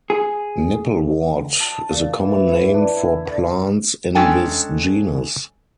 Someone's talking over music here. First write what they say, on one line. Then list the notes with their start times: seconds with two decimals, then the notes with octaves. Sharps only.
Nipplewort is a common name for plants in this genus.
0.10 G#4
1.60 A5
1.90 A#2
2.21 E3
2.49 E4
2.74 D4
2.97 E4
3.25 D3
4.15 G#3 C#4 D4 A4 G5 G#5